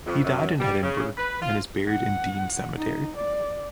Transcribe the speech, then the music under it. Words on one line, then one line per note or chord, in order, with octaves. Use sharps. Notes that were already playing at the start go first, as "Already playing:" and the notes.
He died in Edinburgh, and is buried in Dean Cemetery.
F2
F#2
G3
C#3
B4
F4
F#5
D#4
D5